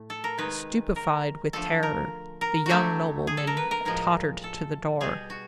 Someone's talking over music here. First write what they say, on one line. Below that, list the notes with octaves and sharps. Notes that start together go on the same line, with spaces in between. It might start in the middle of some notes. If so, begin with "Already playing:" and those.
Stupified with terror, the young nobleman tottered to the door.
Already playing: A2 A3
A4
A#4
C3 D#3 G#3 B4
A#4
D3 F3 A3 A4
A#4
A#4
D3 F#3 A3 F#4 G4
G#4
A4
A#4
B4
A#4
A2 F3 G#3 A#4
A4
B2 G3 G#4
F#4